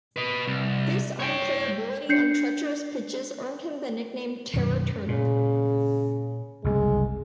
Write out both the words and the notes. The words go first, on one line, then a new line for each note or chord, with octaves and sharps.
This unplayability on treacherous pitches earned him the nickname "Terror" Turner.
B4 D#5
C2
C#5 G5
D4 G6 C7 C#7
F#2 B2 D#3
A#2 C#3
F#1 C2 G#3